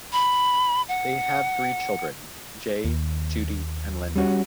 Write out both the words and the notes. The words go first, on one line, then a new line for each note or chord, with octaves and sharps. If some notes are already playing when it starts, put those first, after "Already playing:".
They had three children: Jay, Judy and Linda.
B5
F#5
D#2
G3 C#4 F#4